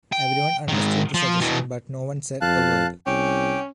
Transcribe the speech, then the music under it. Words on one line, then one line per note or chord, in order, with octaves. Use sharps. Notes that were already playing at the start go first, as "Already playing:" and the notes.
Everyone understood the suggestion but no one said a word.
G5
G#2 D#3
F3
B2 E3
F2 F5 A5 F#6
C2 C#4 G5 D6